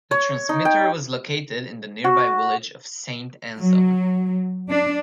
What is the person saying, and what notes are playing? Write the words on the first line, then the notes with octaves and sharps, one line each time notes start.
The transmitter was located in the nearby village of Saint Anselme.
C#5
D#4
G5
F#4
F#3
D4